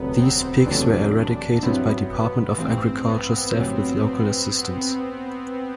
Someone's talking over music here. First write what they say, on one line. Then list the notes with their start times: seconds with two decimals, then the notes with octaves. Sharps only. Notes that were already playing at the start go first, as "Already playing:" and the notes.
These pigs were eradicated by Department of Agriculture staff with local assistance.
Already playing: E1 D2 C3 F#3 A3 B3
0.18 C4
0.66 E2 C3 F#3 A3 D4
1.62 G2 F#3 B3 C4 E4
2.10 B3
2.57 A1 G2 E3 C4
3.05 B3
3.54 A1 G2 F#3